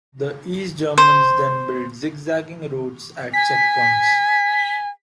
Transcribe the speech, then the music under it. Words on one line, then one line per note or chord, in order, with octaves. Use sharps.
The East Germans then built zig-zagging roads at checkpoints.
C5
G#5 B6